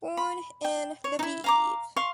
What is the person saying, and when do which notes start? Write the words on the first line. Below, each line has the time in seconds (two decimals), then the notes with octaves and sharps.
Born in Lviv.
0.17 B5
0.64 G5
1.04 C#5
1.19 D#4 E4
1.44 F5 A#5 D6
1.96 F5 C6 C#6